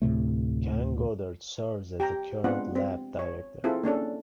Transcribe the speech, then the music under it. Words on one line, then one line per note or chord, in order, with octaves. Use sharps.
Ken Goddard serves as the current Lab Director.
D2 A2 C3 A3
G4 G5 A#5
G#3 B3 C4 D4 F4 F#5
C4
C#5
C4 E4 F4 G#4 A4
A#3 C#4 D4 A4